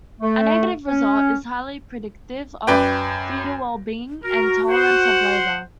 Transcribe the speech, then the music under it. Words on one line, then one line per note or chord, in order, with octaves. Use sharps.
A negative result is highly predictive of fetal wellbeing and tolerance of labor.
A3
C#4
F#2 B4 D5 G5
F#4 A#4
C5 F#5